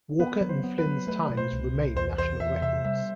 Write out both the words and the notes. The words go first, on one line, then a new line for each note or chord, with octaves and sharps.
Walker and Flynn's times remain national records.
B3 B4
F#3
C5
B3
B4
F#3
A3 B4
B2
C5
C2
C2
E2 C5
E2 C5
E2 E5
C3 E5
G3 E5